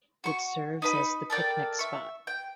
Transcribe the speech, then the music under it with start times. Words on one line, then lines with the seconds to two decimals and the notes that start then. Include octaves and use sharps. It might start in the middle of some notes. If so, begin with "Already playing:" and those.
It serves as the picnic spot.
0.24 F#4 C#6
0.82 D#4 B4 B5
1.30 A4 A#4 D5 G5
1.79 E5 C#6
2.27 G5